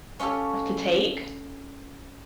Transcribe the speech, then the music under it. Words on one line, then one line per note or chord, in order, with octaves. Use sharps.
to take.
C#4 F4 G4 A4 C#5